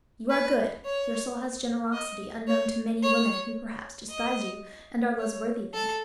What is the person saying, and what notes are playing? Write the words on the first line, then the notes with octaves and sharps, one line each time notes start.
You are good, your soul has generosity unknown to many women who perhaps despise you, and are less worthy than you.
B4
C#5
D#5
C#5
C#5
D#5
C#5
A4